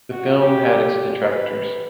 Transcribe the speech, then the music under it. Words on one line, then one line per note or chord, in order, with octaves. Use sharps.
The film had its detractors.
F#4
G4
B4